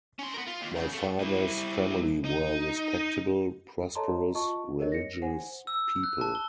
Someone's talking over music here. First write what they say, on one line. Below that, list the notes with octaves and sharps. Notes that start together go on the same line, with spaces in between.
My father's family were respectable, prosperous, religious people.
C#4 C6
B3 A#4
F4
D#2
C#3
A3 F4
G3 E4
D#4
A4 C#5 D#5 A5 A#5 C6
F4 D#5 A5 C#6
G4 A#4 C#5 D#5
A#6 C#7
C5 F#5 G#5
E6
F#6
A5
G7